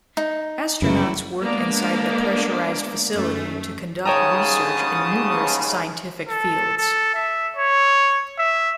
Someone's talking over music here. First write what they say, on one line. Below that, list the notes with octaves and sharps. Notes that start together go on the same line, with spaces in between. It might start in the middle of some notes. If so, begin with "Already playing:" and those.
Astronauts work inside the pressurized facility to conduct research in numerous scientific fields.
D#4
F#2 C#3 E3 F#3 A#3 E4
G#3 A#3 B3 D4 D5
F#2 A3
D#2 G#2 C#3 C#5 G5 A5 A#5 D#6
A4
A4
E5
C#5
E5